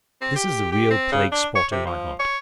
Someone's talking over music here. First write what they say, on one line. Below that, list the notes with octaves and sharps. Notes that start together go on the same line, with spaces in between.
This is the real plague-spot in my heart.
C4
G4
G4
C4
C#3
D4
C#5
C3
F3
C#5